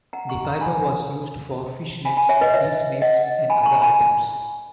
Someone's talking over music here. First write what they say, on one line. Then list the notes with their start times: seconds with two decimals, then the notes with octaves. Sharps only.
The fiber was used for fish nets, deer snares and other items.
0.13 F#5 A#5
0.29 A#5 C#6
0.45 A#5 C#6
0.56 A#5
0.61 G#5 B5
2.05 G#5 B5
2.17 G#5 B5
2.29 C#5 E5
2.41 B4 D#5
2.54 C#5 E5
3.02 D#5 F#5
3.50 G#5 B5
3.66 A#5 C#6
3.82 G#5 B5